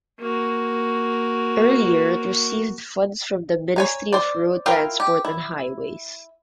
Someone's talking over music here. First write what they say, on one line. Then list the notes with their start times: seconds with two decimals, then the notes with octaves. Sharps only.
Earlier it received funds from the Ministry of Road Transport and Highways.
0.19 A#3 F#4
3.76 C#5 G#5 A#5
4.13 C5 D5
4.66 E4 F4 A#4 F5 G5
5.00 G4
5.25 E4